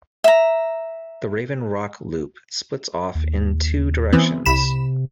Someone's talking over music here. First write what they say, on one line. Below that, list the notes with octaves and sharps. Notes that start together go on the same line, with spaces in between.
The Raven Rock Loop splits off in two directions.
E5 A#5
D#2
E3 B3 C4
C2 C3 B5 E7